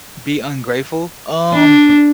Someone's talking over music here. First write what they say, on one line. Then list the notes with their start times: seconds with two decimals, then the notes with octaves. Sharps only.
be ungrateful, um,
1.54 D4